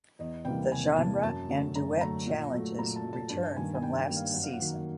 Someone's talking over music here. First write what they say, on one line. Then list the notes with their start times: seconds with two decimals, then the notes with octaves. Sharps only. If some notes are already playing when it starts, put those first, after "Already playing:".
The Genre and Duet Challenges return from last season.
0.19 E2 D#5
0.45 C3 E3 G3 A#3 G5
0.71 E2 G#5
0.97 C3 E3 G3 A#3 A5
1.23 F#2 A5
1.49 D3 F#3 A3
1.75 F#2 A#5
2.01 D3 F#3 A3 A#5
2.26 A#2
2.52 F#3 A3
2.78 A#2 A#5
2.96 A5
3.04 F#3 A3
3.13 A5
3.30 G2 A5
3.56 D#3 G3 A#3 G#5
3.75 G#5
3.82 G2 G5
3.99 G5
4.08 D#3 G3 A#3
4.17 F5
4.33 F#2 F#5
4.43 F5
4.52 F#5
4.60 D#3 F#3 A#3